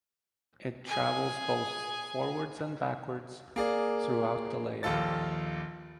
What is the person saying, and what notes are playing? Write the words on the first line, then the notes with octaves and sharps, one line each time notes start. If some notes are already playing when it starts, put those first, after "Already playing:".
It travels both forwards and backwards throughout the layout.
G#4 G#5
A#3 G#4 D5
A#1 D#2 F4 A4 A6